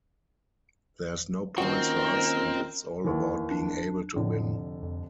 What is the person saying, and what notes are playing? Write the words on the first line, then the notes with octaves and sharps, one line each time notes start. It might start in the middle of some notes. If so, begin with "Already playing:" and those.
There's no points for us and it's all about being able to win.
D#2 C4 C#4 F4 F#4 A#4 D#5
D#2 E3
D4
F1 A2 D3
F2